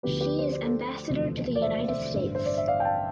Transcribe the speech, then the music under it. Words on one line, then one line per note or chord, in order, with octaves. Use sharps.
She is ambassador to the United States.
D2 D3 F3 B3 G4 B4
G4 B4
C5
D5
A4 C5
E1 D2 C3 F3
D5
C5 E5
C5 E5
A1 G2 D3
C5
D5
E5
D5 F5
G5
F5 A5